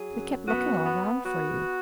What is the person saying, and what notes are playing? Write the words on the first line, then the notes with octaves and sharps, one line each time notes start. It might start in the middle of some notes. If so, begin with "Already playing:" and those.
"We kept looking all round for you."
Already playing: F#3 G#4
F#2
B3 F#4
B3
B3 F#4